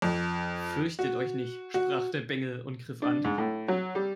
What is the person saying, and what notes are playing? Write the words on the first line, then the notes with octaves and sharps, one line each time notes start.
"Fürchtet euch nicht", sprach der Bengel und griff an.
F2
F#4
F#4
D4
G#2
A2
F#3
G3